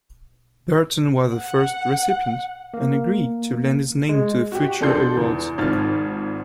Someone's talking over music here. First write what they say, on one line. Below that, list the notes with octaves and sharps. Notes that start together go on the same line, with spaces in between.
Berton was the first recipient and agreed to lend his name to future awards.
F#5
A#3
G#3
F#4 G4
F3 D4 A4 C6 G6 C7
E2
G#1 G#2 F3 F6 A6